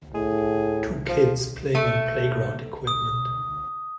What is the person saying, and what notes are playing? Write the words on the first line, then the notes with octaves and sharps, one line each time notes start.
Two kids playing on playground equipment.
A2 G#4
F3
A3
D#6